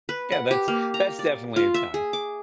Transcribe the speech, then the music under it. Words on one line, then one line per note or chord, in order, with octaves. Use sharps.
Yeah, that's that's definitely a time.
B4
F#5
G4
A#3
A#5
D5
F4
E5
G#4
D6